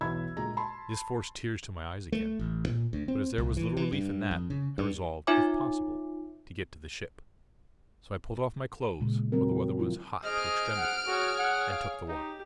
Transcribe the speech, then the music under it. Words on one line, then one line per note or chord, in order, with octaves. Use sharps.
This forced tears to my eyes again; but as there was little relief in that, I resolved, if possible, to get to the ship; so I pulled off my clothes--for the weather was hot to extremity--and took the water.
B1 E2 E3 B5 E6 G#6
D2 A#2 G#3 A#5
A5 B5 C6
A3
A1
A#2
D2
C4
C2
E3
E3
G2
F2
C#3
G2
D#4 F4 C#5 E5 G#5 D6
A#2 C#3 G#3
F#3 C4 A#4
F3 E4 F4
G#4 C5 D#5 F6 D7
F#5
F#4 G#4 C#5
F#5
F5
D#4 G4